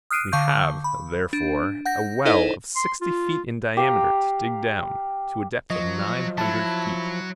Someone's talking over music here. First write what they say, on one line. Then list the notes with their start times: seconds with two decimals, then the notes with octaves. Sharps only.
We have, therefore, a well of sixty feet in diameter to dig down to a depth of nine hundred feet.
0.10 D#6 F6 F#6 C7 D7 D#7
0.32 D3 F5 C#6 G6
0.84 B5
1.33 D4
1.85 F#5 G6 A#6
2.25 D#4 E4 A4 C5 D#5
2.76 C6
3.01 F4
3.77 G4 F5 A#5
5.70 F3 F#3 D#5
6.38 F#3 E4 A5